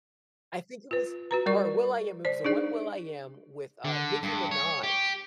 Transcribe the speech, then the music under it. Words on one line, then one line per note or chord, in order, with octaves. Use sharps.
I think it was or will.i.am, it was the one will.i.am with, uh, Nicki Minaj,
F4 B4
F#4 B4 A#5
G3 A#4 D5 C#6
C5 D5
D4 D#4 G#4 D5
D3
G2
C#5
G4